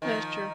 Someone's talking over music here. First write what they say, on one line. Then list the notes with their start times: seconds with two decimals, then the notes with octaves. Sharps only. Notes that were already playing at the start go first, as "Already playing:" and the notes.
That's true.
0.02 D#3 F3